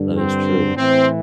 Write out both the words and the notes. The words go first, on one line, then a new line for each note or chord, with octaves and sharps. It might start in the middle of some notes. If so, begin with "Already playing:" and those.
That is true.
Already playing: G2 D3
C4
A2 E3 C4